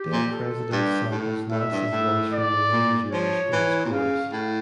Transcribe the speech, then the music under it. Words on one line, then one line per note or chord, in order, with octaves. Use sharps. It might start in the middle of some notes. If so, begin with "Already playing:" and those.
"Dead Presidents" samples Nas' voice from "The World Is Yours" in its chorus.
Already playing: G4
A#2
A4
G2 G4
A2
A2 E5
G2
A2
D5
A#2
F3 C#5
E3
A#2
C#3 F5
A2